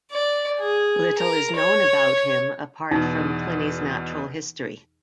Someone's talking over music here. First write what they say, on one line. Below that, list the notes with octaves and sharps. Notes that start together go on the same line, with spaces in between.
Little is known about him apart from "Pliny's Natural History".
D5
G#4
A#4
C#5
E2 B2 D#4